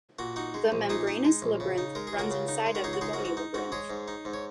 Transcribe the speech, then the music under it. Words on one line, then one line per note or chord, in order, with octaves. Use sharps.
The membranous labyrinth runs inside of the bony labyrinth.
A#2 F#4
D#4 F#4
G#3
A#1
A#2 D#4 G#4
D#4
G#3
A#1
C#3
D#4
G#3 A#4
G#4
C#2
F#4 A#4
C#3
D#4
G#3
F#4 A#4
C#2 D#4 G#4
F#4
G#3 D#4 G#4
F#4 A#4
G#2
F#4
D#4
G#2 F#4
G#3 G#4 C#5
G#2
D#4
G#2
C#5